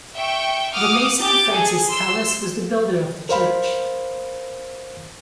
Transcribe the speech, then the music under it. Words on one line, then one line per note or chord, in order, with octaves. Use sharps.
The mason Francis Callus was the builder of the church.
E5 G5 C#6
F#5 D6 D#6 F6
G4 D6 G6 A6
G#4 A4 G#5
C6 E6
A#4 C5 F5 B5